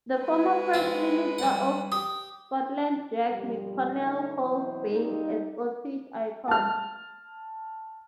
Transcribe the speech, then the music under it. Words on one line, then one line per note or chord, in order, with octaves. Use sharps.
The former First Minister of Scotland Jack McConnell called Bain a Scottish icon.
G#3 B4
C4 F#4
G3 F#5
G4 D#6
G2 B2 F3 G3
C#3 F#3 A3 D4 D#4 C#5
B2 E3 F#3 E4 C5
G3 A#3 C4 D#4
A5 F6